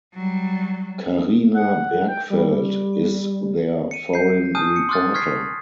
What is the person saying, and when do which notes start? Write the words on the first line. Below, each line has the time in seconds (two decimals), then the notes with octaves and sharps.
Carina Bergfeldt is their foreign reporter.
0.14 F#3 G3
1.54 F#5
2.08 G5
2.30 G3
3.91 C#7 D#7
4.14 G6 C7
4.55 G#5 A5 D#6 F6 G6 D#7
4.76 C#7
4.89 C6 D6 D#6 F6 F#6 A6
5.14 C#6 F6 F#6 G#6 B6 C7